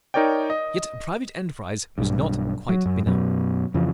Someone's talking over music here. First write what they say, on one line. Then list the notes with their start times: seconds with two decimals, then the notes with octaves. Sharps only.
Yet private enterprise was not quite benumbed.
0.14 D#4 A#4 C#5 D5 G5
0.50 D#5
1.98 B1 G2
2.69 F#3
2.85 F#2
3.06 F#2 B2 F#3
3.74 F2 C#3 E3 F3